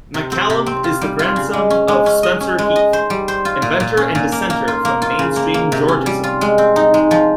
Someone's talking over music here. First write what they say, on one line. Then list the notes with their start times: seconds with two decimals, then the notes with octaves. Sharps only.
MacCallum is the grandson of Spencer Heath, inventor and dissenter from mainstream Georgism.
0.14 C3
0.32 C4
0.50 C3
0.66 C4
0.84 F4
1.01 G3
1.19 F4
1.36 C#3
1.53 G#3
1.70 C#4
1.88 G#3
2.06 C#4
2.23 D#5
2.41 C#4
2.58 G#3
2.76 D#5
2.93 C5
3.10 G3
3.28 C5
3.45 F4
3.62 A#2
3.80 A#2
3.97 C#4
4.15 A#2
4.32 A#3
4.50 A#3
4.68 F4
4.85 A#3
5.02 F4
5.19 C#3
5.36 A#3
5.54 A#3
5.72 C3
5.88 C#4
6.06 G3
6.24 F4
6.41 G#3
6.58 C4
6.76 D#4
6.94 G#3
7.11 F3